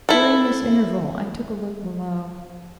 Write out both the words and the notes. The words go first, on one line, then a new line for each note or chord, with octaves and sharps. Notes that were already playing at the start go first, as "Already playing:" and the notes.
During this interval I took a look below.
E4 A4